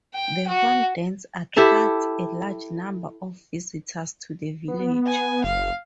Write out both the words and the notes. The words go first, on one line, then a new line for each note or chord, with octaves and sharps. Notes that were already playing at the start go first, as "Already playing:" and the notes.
The Horn Dance attracts a large number of visitors to the village.
G5
F#4
E4 G4 A4 E5
B3
G#5
F#1 F5